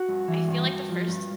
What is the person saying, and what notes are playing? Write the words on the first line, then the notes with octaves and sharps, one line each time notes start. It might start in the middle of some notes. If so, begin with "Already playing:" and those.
I feel like the first
Already playing: F#4
G2
E3
G2
G2
F3
G2